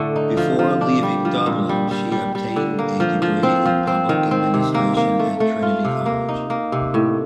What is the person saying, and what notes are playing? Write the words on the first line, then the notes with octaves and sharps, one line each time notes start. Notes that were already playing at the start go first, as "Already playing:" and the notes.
Before leaving Dublin she obtained a degree in public administration at Trinity College.
Already playing: A2 D3 A3
D#4
F3
F3
D4
G3
F3
A#2
G3
G3
G3
G3
D3
A#3
F3
F3
C4
F3
C4
D#3
C4
C3
A#3
A#3
A3
A3
F4
C3
A#3
D#4
A#3
C3
A2